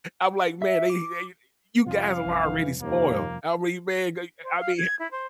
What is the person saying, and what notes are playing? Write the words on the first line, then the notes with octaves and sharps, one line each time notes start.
I'm like, "Man, eh, you eh, you you guys are the ones already spoiled." I re man, I I mean
E5
D6
C2 F2 C#4 F4 F5
A1 E3
D#2 F3 A#3
C5
F5
G#6
E4
C5